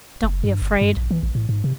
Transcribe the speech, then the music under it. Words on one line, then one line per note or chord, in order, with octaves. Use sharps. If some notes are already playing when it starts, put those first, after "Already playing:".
'Don't be afraid.
F#1
G2
G1
G2
A#1
E3
A1
A2
G#2
C3